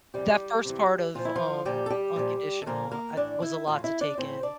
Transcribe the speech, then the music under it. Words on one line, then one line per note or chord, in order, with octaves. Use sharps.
That first part of, um, unconditional I was a lot to take in.
C3 E3 G3 G4
C3 E3
A#2 F3 F4
E4
F3 F4
A#2 F3 G3 G4
A4
G3 G4
A#2 F3
A4
A#2 F3 A#3 A#4
A#3 A#4
A2 E3 D4 D5
E4 E5
A2 E3 F4 F5
E4 E5
D4 D5
A2 E3 C4 C5
D4 D5